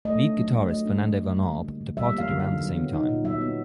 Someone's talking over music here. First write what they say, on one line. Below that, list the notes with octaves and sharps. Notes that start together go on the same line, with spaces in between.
Lead guitarist Fernando von Arb departed around the same time.
A3 D#5
D4
F#3
F#3
A3 D#5
D4
F#3
F#3
G3
A#3
D3
D3
G3 E5
A#3
F5
D3
F5
D3
F#3
B3
D#4
A#2
F#3 E5
B3